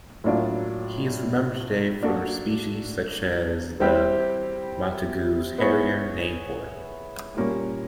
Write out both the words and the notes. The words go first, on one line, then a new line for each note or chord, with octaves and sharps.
He is remembered today for species such as the Montagu's harrier, named for him.
A2 F#3 A#3 D4 F4
A#3 D4 F#4 A4
G3 C4 E4 G4
B3 E4 G#4 C#5
A#2 G3 A#3 C#4 F4